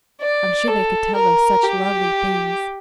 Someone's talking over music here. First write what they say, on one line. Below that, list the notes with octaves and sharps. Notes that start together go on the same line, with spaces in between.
I'm sure they could tell us such lovely things.
D5
A4
A#4
G4